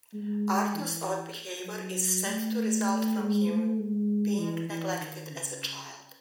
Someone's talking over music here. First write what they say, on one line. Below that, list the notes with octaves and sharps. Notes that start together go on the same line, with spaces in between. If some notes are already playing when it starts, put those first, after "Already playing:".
Arthur's odd behavior is said to result from him being neglected as a child.
G#3
E3
F#3
A3
G#3
A3
G#3
E3
E3
D#3
C#3